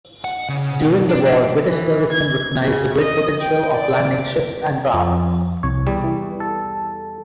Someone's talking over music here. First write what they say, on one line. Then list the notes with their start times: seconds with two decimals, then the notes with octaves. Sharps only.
During the War British servicemen recognised the great potential of landing ships and craft.
0.24 F#5
0.49 C#3
0.84 B2
1.09 D4
1.25 D4
1.65 E3
2.12 G#6
2.61 C#3
3.00 D#5
3.39 G5
3.72 D5
4.94 F2
5.63 C2 C#5
5.87 E2 G3
6.04 E3
6.40 A4